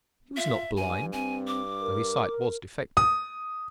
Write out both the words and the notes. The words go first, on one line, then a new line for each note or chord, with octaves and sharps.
He was not blind, though his sight was defective.
F4 E5
G2 G#5
C4 G#5
D6
A#4
D#6